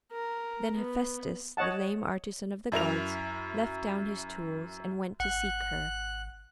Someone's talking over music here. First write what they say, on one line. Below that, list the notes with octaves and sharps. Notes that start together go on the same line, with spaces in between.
Then Hephaestus, the lame artisan of the gods, left down his tools and went to seek her.
A#4
B3
C#5 D#5 F#5 A5
F#2 E4 A#4 F7
G#1 F#5 F#6